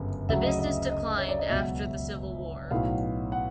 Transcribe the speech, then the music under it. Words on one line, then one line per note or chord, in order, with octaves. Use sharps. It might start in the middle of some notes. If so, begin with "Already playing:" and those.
The business declined after the Civil War.
Already playing: G1 F#2 C#3
D2 C#3 F#3 E5
D#5
D#5
D#5
C#5
D5
D#5
C#2 B2 F#3 E5
B1 A2 F#3 F5
F#5